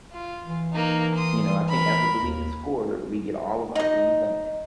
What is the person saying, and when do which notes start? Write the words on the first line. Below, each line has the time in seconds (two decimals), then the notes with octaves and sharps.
You know, I think that's what the week is for. We get all of our things done
0.13 F4
0.44 E3
0.73 A#3 D#4
1.14 C6 D#6
1.68 A#4 B5
2.20 D#2
3.75 D#4 D#5